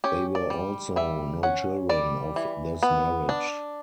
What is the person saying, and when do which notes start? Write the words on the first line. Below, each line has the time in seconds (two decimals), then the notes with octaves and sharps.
There were also no children of this marriage.
0.04 C#4 G4
0.35 D5
0.50 G3
0.96 G3 E5
1.43 C#4 F#5
1.89 G3 D5
2.36 E3
2.83 B3
3.29 D4